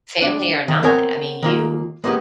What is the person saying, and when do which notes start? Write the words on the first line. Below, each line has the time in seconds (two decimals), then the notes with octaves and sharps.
Family or not, I mean, you
0.22 D4
0.68 D#3
0.83 B3 C4 A#4 C#5 G#5
1.42 D#3 A#3 F4
2.04 G#3 A#3 B3 C#4 G4